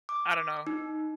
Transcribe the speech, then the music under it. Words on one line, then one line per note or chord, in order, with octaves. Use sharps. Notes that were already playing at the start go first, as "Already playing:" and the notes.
I don't know,
D6
D#4